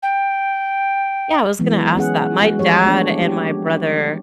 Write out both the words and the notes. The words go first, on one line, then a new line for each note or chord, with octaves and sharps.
Yeah, I was gonna ask that, my dad and my brother
G5
E3 F#3 G#3 B3
B3 C#4 G#4 F#5
G#3 F#4
F3 G3 G4 C#5
A3 B3 D4
G4